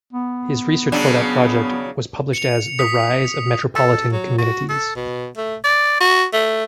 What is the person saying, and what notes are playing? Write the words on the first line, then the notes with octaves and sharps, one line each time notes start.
His research for that project was published as "The Rise of Metropolitan Communities".
B3
C#3 F#3 D4
C#7 F7
D#6 B6
A4
F#3
F#4
A4
B2
A3
D5
F#4
A3